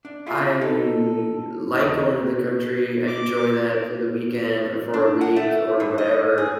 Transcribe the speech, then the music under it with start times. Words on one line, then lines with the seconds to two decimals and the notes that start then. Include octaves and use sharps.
I like going to the country. I enjoy that for the weekend or for a week or whatever.
0.05 D4
0.26 E4 F4 G#4
0.61 D#4 A4
1.72 E2 D#5
3.07 D6
4.94 D4
5.21 F#5
5.36 A3
5.80 G2
5.98 D#5
6.38 G#4